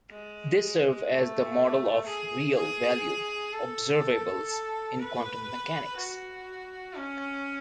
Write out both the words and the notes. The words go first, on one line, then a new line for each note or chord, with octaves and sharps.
They serve as the model of real-valued observables in quantum mechanics.
G#3
A3
G#4
G#4
A4
B4
F#4
C#4